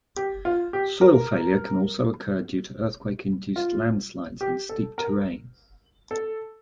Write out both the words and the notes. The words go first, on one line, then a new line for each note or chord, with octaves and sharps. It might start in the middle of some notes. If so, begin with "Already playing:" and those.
Soil failure can also occur due to earthquake-induced landslides in steep terrain.
G4
F4
G4
A#4
F4
G4
A4
A#4
A4